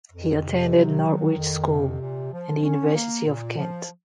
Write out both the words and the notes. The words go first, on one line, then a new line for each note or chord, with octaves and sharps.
He attended Norwich School and the University of Kent.
F2
C3
F#3
D#3
F2
C3
A#2
F3
C#4
A#3
A#2
F3